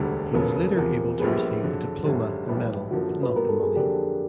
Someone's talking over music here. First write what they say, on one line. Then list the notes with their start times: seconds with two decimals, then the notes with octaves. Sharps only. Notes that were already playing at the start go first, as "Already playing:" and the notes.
He was later able to receive the diploma and medal but not the money.
Already playing: E1 D2 D3 G3 A4
0.33 E1 D#2 C#3 F#3 B3 A#4
0.76 E2 C3 F3 A#4
1.19 A#1 A#2 G3 B3 G#4
1.63 F2 D3 F#3
2.05 G#1 F#2 D3 G4
2.48 B1 A2 E3 G3 B3
2.91 F#2 D3 F3 A#3 F#4
3.23 B4
3.34 A#2 G3 B3 A#4
3.49 A4
3.63 G#4
3.76 F2 D3 F#3 A#3 D4 G4